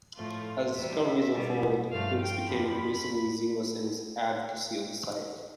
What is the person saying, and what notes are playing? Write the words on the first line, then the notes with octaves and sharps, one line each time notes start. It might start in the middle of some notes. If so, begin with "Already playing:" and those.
As the discoveries unfolded, Griggs became increasingly zealous in his advocacy of the site.
A2 F3 A3 F4
E2 C3 G3 E5
B2 G3
G2 F3 A3 F5
G5
F2 C3 F3 B5
B5